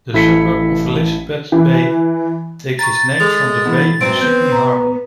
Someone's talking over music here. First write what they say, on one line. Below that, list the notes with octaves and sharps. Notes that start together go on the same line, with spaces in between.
The suburb of Elizabeth Bay takes its name from the bay on Sydney Harbour.
A1 E4 A4 B6 C#7
E3
A#5 C#6 A6
G#3 A4 F7
B2 E3
G2 F#3 C4 D7
B3 G6
A#5